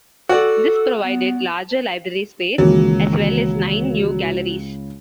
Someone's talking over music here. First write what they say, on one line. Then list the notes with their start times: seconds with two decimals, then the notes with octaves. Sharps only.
This provided larger library space, as well as nine new galleries.
0.29 F#4 A4 D5
1.03 B3
2.58 C#2 D#3 E3 F#3 A#3